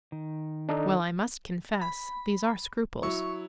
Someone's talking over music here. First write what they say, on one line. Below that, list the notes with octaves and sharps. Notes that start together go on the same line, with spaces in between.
"Well, I must confess, these are scruples."
D#3
D4 D#4 A4
B5
F#3 E4 C#6